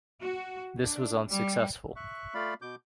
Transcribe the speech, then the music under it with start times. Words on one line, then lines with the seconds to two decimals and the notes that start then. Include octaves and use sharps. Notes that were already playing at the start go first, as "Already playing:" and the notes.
This was unsuccessful.
0.21 F#4
0.78 D4
1.27 G3
1.96 E5 C#6 F#6
2.34 A3 F4 D5 F5 B5
2.62 B2 D6 G6